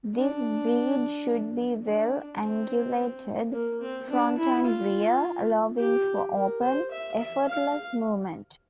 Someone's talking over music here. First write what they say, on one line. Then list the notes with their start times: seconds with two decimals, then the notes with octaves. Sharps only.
This breed should be well-angulated front and rear, allowing for open, effortless movement.
0.15 D4
1.84 D4
2.41 C4
3.53 A#3
3.82 C4
4.10 D4
4.38 E4
4.65 F4
5.78 G4
6.35 A#4
6.63 C5
6.91 E5
7.19 E5
7.47 F5